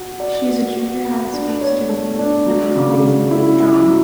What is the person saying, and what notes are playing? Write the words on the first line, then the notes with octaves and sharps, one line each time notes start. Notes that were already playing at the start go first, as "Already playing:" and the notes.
She is junior high school student and her hobbies include drawing.
Already playing: F#4
D5
F#4
F#4
B3
D4
C#5
A3
D4
F#3
C#3
C#3
E4
E4
F#3